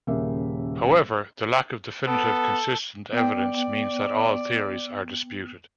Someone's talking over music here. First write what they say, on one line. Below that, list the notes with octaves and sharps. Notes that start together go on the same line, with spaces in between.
However, the lack of definitive, consistent evidence means that all theories are disputed.
D#1 C#3 A#3 E5
B3 A4
B3 D5 G5